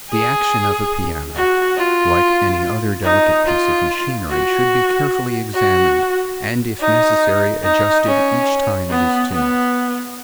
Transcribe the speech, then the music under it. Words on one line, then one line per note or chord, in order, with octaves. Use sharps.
The action of a piano, like any other delicate piece of machinery, should be carefully examined, and, if necessary, adjusted each time it is tuned.
G#4
F#4
F4
D#4
F4
F#4
F#4
D#4
D#4
C#4
B3
B3